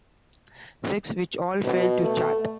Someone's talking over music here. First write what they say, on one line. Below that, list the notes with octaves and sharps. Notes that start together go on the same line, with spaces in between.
Sex, which all failed to chart.
B2
A3